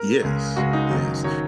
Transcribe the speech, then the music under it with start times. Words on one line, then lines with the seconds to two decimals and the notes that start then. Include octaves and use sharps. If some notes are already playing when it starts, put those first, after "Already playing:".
Yes, yes,
Already playing: A#4
0.22 C#2 C#3 G#3
0.56 C#2 C#3 G#3 F#4
0.73 D#4
0.90 F#1 F#2 D#3 F#3
1.24 D#3 F#3 C#5